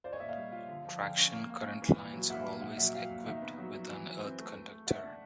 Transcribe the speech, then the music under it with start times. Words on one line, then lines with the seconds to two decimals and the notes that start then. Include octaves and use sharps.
Traction current lines are always equipped with an earth conductor.
0.04 F4 C5 D5
0.13 C#5 D#5
0.20 A#2 D5 E5
0.28 D#5 F5
0.36 G3
0.52 F4
0.68 D3
0.85 F3
1.01 D3 F5 G5
1.17 C#4
1.33 A#3
1.50 A#3
1.65 C#4
1.82 E3
1.97 A#2
2.14 F#3
2.30 A#3 E5 F#5
2.46 A#2
2.61 A#2 E5 F#5
2.78 F#3 E5 F#5
2.94 F#3 F5 G5
3.11 A#2
3.26 D#3 E5 F#5
3.42 B3
3.58 F#3
3.74 F#3
3.91 E3
4.07 E3
4.23 C4
4.39 A3
4.55 A3
4.71 A3
4.87 A3 E5 F#5
5.03 D4